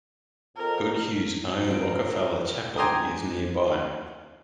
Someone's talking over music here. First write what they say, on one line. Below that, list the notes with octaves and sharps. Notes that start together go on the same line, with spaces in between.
Goodhue's own Rockefeller Chapel is nearby.
F2 A#4
C#3 F3 G3 A#3 C4 A#4
G5 G#5 A#5 C6 D6 D#6